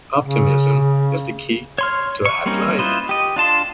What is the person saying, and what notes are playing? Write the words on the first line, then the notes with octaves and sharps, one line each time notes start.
Optimism is the key to a happy life.
C#3
C#5 C6 F6
C#6
G3 A#3 C4 C#4 D#4
E4 F4 B4 C5 D#5
G4 D#5
D4 F4 A5 C6